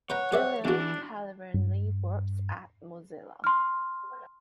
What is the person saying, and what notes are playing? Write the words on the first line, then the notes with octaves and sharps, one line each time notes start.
Julian currently works at Mozilla.
B4 C#5 F#5 G5 A#5
G#4 C#5 D5 E5
E2 E3 D4 F#4
G2
C6 F6